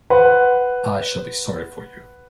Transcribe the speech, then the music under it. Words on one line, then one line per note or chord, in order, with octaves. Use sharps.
I shall be sorry for you.
B4 F#5 C6